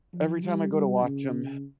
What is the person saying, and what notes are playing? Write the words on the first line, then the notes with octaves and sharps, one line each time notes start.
every time I go to watch 'em,
F3
G3
G3
C#3